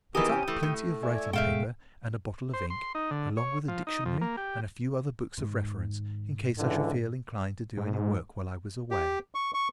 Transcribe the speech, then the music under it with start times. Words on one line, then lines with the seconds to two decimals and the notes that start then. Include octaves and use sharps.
I put up plenty of writing paper and a bottle of ink, along with a dictionary and a few other books of reference, in case I should feel inclined to do any work while I was away.
0.15 D#3 E3 B3 G4 G#4 A#5 D#6
0.30 C3 C#4 G5 D#6
0.48 E3 A3
0.63 A2
1.03 D5 E5 G#5
1.33 G#2 B2 G#3 E5 F5 G5
2.54 C5
2.70 C6
2.95 D#4
3.11 D3
3.37 C#5
3.68 F3
3.87 D#4
4.05 F2
4.21 A#3
4.37 G4
5.37 G#2 D#3
6.58 C#2 D3 E3
7.77 G#2
8.91 G4
9.35 C#6
9.54 C#6